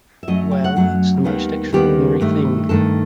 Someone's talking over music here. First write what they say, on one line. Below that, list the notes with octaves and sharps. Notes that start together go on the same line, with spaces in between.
Well, it's the most extraordinary thing.
E5
F#2 F#3 A3 D#5
G5
F#5
F#2 F#3 A3 F#5
D#2 D#3 G3 B3
D#2 D#3 G3 B3 G4
G2 D#3 A3
G2 D#3 A3 A4